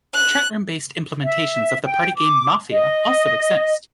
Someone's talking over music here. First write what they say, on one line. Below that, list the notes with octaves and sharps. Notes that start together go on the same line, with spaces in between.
Chatroom-based implementations of the party game "Mafia" also exist.
F#6
E5
G5
D6
D#5